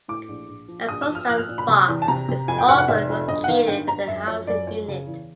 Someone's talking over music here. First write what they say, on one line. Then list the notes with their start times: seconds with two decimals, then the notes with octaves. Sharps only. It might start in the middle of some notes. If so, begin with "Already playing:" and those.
A post office box is also located within the housing unit.
0.08 A2 D6
0.28 A#1
0.49 A#1
0.68 F3
0.89 A#1 D#6
1.02 E6
1.08 F3
1.15 F6
1.29 F3 F#6
1.38 F6
1.49 A#2
1.58 B5
1.68 C3 B5
1.88 E2
2.02 A5
2.08 C3 A#5
2.29 C3
2.48 F2 G#5
2.58 G5
2.68 F1 F#5
2.78 F#5
2.88 F1 E5
3.08 F2
3.28 G1 D#5
3.44 F#5
3.48 D#3 F5
3.67 G1 G5
3.88 G1 A#5
4.08 F#2 E5
4.27 F3 C#5
4.47 F#2 D5
4.67 F3 C#5
4.88 C#3
5.07 E2